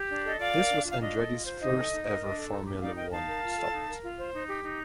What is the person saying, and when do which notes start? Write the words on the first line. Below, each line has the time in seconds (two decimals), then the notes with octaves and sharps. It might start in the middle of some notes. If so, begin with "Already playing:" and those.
This was Andretti's first ever Formula One start.
Already playing: G4
0.09 D4
0.24 A4 D#5
0.39 F4 D5 F5
0.54 A#4
0.70 D4
0.84 F4
0.90 F5
1.00 D4 D#5
1.15 A4
1.30 F4
1.44 C5
1.60 D#4 D#5
1.75 A4
1.91 D#4
2.06 A#4
2.21 D4
2.36 A4
2.50 D#4
2.66 G4
2.81 D#4 D5 F5
2.96 A#4 D#5 G5
3.11 D#4 F5 A5
3.27 A#4
3.42 F4
3.57 A4
3.72 D#4
3.88 A#4
4.03 F4
4.18 C5
4.33 D#4
4.47 G4
4.63 D#4